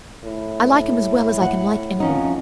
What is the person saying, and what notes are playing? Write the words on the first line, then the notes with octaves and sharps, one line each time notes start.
I like him as well as I can like any one.
A2
F#5
F2 C#4 D#4